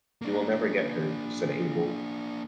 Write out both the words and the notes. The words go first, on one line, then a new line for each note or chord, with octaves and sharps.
"You will never get her," said Abel.
A#3 D4